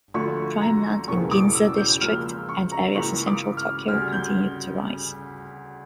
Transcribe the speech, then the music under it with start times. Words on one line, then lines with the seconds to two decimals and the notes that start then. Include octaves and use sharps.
Prime land in Ginza district and areas in Central Tokyo continued to rise.
0.14 D2 D3 F3 A3 C#6
0.61 A#5
1.07 E1 E2 C#3 E3 A#3 C#6
1.31 D6
1.55 E6
1.78 G6
2.01 C#2 C#3 F3 A#3 F6
2.25 E6
2.49 C#6
2.72 A#5
2.95 C#2 C#3 E3 A#3 C#6
3.27 D6
3.57 F6
3.88 D2 C#3 G3 F6
4.12 G6